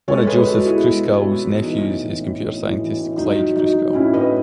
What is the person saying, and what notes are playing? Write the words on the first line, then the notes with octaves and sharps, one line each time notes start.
One of Joseph Kruskal's nephews is computer scientist Clyde Kruskal.
G#3 A4 C#5
G#3 G#4 B4
G#3 F#4 A4
B2 E4 G#4
G#3
B2
G#3
B2
E3 D#4
A2
E3
A2
A2
A2
E3
A2
F#3 D#4
F#3
F#3 D#4
F#3
A2 C#4 E4
A2 B4 D#5